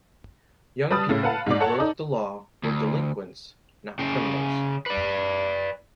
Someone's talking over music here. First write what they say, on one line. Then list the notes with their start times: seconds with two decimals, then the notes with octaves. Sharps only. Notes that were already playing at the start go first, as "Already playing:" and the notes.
Young people who broke the law were "delinquents," not criminals.
0.90 G3 B4 A5 D#6 A6
1.09 A2 C#3
1.23 B4 F5 F#5 A5
1.46 G#2 D5
1.60 A4 C#5 F#5 A5
1.79 D#4 A4 D5
2.63 D2
3.99 C#3 C#4 G5
4.86 B4 D5